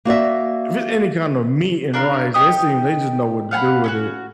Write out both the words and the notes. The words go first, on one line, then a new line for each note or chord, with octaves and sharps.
if it's any kind of meat and rice, they seem they just know what to do with it,
A#3 F#4 D5 E5
D4 A#4 F5 C6
D#4 G4 D#6
F5 F#5 G#5 B5
C#4 D4 F#4